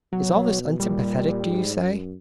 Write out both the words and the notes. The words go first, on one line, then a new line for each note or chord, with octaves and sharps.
Is all this unsympathetic, do you say?
B2 F#3
A#2 G3
G#2
F#2